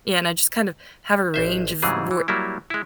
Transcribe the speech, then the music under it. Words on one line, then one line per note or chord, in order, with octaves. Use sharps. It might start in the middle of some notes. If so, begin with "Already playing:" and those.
Yeah, and I just kind of have a range of where
A1 C5 E5
G#2 C#3 E3 F#3 G3 G#4
E3
F#3 G3 A#3 E4
G#3 E4